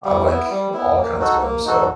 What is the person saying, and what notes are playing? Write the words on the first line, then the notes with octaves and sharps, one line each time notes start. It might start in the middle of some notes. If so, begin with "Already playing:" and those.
I like all kinds of 'em, so,
G3
B3 E4
G3
B3 E4
A#3
D#4 F#4 A4
A#3
D#4 F#4 A4